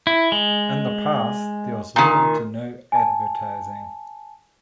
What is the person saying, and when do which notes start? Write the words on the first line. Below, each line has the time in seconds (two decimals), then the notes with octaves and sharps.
In the past, there was little to no advertising.
0.07 E4
0.32 G#3
1.96 A#2 D#3
2.92 G#5 A5